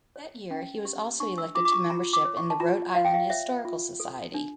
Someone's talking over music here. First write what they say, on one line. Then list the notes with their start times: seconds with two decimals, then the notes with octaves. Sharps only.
That year he was also elected to membership in the Rhode Island Historical Society.
0.16 C#5
0.51 C#4
0.85 G4
1.20 D4 C#6
1.38 E6
1.55 F4 D6
1.65 D6
1.72 C#6
1.90 F4 A#5
2.13 D6
2.25 C#5
2.37 C#6
2.50 A5
2.60 F4 A#5
2.95 F4 F5
3.05 G5
3.14 F5
3.30 C#5 E5
3.65 F4
4.00 A4
4.34 D4